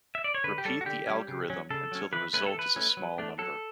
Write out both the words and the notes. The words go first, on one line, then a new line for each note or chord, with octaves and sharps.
Repeat the algorithm until the result is a small number.
E5
D5
C#5
D3 B4
G4
G3 C#4 A4
F#4
D3 G4
G3 C#4
C#3
F#3 C#4
C#3 A4
F#3 C#4
E3 B4
A3 C#4 B4
A4
E3 B4
A3 C#4
F#3
A3 D4
F#3 A4